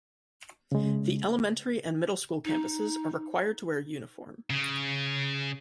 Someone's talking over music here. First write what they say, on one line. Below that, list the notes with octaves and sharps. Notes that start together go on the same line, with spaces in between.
The elementay and middle school campuses are required to wear uniform.
C#3 G#3
D#4
C#3